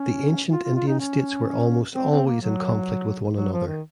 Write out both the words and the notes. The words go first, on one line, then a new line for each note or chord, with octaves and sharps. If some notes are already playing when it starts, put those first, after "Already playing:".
The ancient Indian states were almost always in conflict with one another.
Already playing: C#4
F4
F4
F4
D#4
C#4
C4
C4
A#3
F#3
F#3
F3
D#3